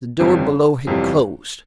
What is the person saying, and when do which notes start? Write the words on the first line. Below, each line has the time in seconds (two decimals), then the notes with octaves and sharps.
The door below had closed.
0.20 G1 F2 C3 E3 G3
0.87 G1 F2 C3 E3 G3